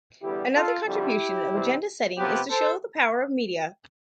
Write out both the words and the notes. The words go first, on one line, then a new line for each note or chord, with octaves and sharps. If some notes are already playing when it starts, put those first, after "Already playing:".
Another contribution of agenda-setting is to show the power of media.
E2 D3 G3 B3 E4 G4
F4 A4
F2 D3 G3 E4 G4
E2 C3 G3 C4
C3 F3 B3 G4 B4
A4 C5